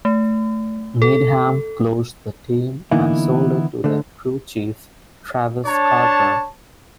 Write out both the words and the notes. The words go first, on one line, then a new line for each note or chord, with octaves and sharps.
Needham closed the team and sold it to their crew chief, Travis Carter.
A3
A4
D3 E3 A#3 B3 D#4 E4
D3 A3
D4 C#5 A5